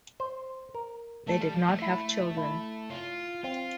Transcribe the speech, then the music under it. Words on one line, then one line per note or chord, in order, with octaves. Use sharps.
They did not have children.
C5
A#4
A3 A4
G3
F3
A3
E4
E4
F4
C4 F4